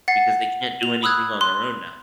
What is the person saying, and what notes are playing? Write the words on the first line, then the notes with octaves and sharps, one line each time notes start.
because they can't do anything on their own now.
F#5 A6 C7
F7
B5 D#6 E6 F#6 G#6
C6 F#6